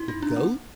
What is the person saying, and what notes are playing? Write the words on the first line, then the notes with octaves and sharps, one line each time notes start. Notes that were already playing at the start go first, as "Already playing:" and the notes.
"The goat?"
Already playing: E4
D#4
D4
A#3